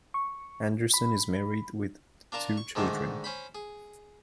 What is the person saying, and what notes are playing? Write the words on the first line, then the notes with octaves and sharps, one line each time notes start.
Andersson is married with two children.
C#6
B5
D4 F4 A#4 A5
C#6
G#2 D3 D#3 G#3 A3 D4
C#4 C5 B5
G#4